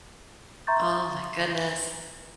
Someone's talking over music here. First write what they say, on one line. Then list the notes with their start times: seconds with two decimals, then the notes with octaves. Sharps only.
Oh, my goodness.
0.67 E5 A#5 C6 C#6 G6 A6